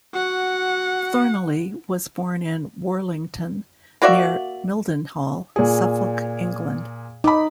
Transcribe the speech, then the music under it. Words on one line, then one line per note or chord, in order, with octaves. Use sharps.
Thornalley was born in Worlington, near Mildenhall, Suffolk, England.
F#4 F#5
A#3 F#4 D5 E5
A#2 G#4
D#4 B5 D6